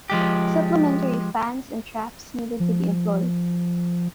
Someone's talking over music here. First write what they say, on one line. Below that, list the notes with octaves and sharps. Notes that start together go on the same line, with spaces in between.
Supplementary fans and traps needed to be employed.
F3 G#3 G4
F3